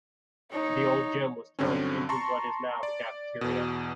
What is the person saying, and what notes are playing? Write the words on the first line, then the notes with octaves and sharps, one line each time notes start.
The old gym was turned into what is now the cafeteria.
D#4 C#5
G2 D3 F#3 C4 C#4
A5 A#5 C6 C#6
D5
E2 B2